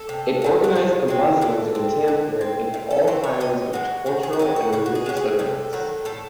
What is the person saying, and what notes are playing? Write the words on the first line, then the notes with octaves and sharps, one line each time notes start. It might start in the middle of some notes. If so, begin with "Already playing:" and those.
It organized the Muslims in Tampere into all kinds of cultural and religious events.
Already playing: A4
C3
D#3 F#3 A3
F#4
D#3 G#4
G#3 C4
E3 A4
C4
E3
C4
A2
A4
E3 A3 C5
C#5
C3 D#5
E3 G#3 F#4
D#3 F#4
G#4
F#4
F#3 A3 C4 G#4
F#4
C#3 F#4
F#4
G#4
G#3 C#4 F#4
G#4
C3 A4
D#3 F#3
A2 A4